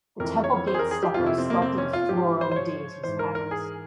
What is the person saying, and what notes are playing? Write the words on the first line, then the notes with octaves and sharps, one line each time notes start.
The temple gate stucco sculpted of floral and deities patterns.
F2 E3 A#4
C#5
C5
G#4
A#4
G#4
G4
F2 C3 F3 F4
E4
C4
A#3
C4
C#4
F4
G#2 F3 G4
C5
C5
C#5
G#2 E3 C5
A#4
A#4
G#4